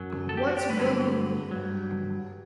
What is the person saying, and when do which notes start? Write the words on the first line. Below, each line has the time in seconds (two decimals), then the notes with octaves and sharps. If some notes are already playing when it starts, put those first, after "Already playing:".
What’s bugging you?
Already playing: F#2 F#3
0.29 A4
0.37 G4
0.47 F#4
0.57 G4
0.70 G2 D3 F#3 B4
1.51 G2 F#3